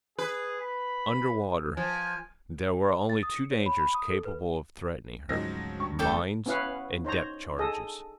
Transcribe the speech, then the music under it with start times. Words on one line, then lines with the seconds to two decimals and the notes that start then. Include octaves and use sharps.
Under water there were only two dangers capable of threatening her--mines and depth-charges.
0.19 G#4 B4
0.60 B5
1.77 F3 G#5
3.10 A6
3.23 D#6
3.36 C#7
3.51 C#5
3.66 B5
3.79 B5
3.94 D#6
4.10 A4
4.25 B4
5.29 D2 G#2 F3 F#3 G#3 C#4 D#5 A#6
5.79 G2 C#6
5.99 F1 F#2 E3 A3 C#4 A4 G5 D6
6.46 B3 C#4 E4 B4 F5 F#5
7.05 D#4 C5 C#5 A#5
7.59 G#4 A4 D#5